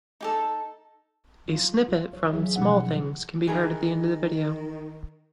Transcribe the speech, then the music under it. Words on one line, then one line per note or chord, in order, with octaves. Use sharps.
A snippet from "Small Things" can be heard at the end of the video.
D#4 G4 A4
F#3 F4
F4
C#5
E3 F#3 F4 G#4 E5
B2 F3 G3 C#4 D#4 F#5
D#3 E3 G#4 A#4